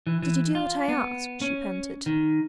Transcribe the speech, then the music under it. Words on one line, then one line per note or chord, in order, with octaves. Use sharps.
"Did you do what I asked?" she panted.
E3
E3
F4
B3
C#4
D#3